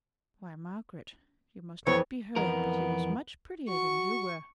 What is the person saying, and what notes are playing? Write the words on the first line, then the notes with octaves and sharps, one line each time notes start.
'Why, Margaret, you must not be hurt, but he was much prettier than you were.
F2 E3 C#5
F2 E3 B3 A#4
F#4 C#6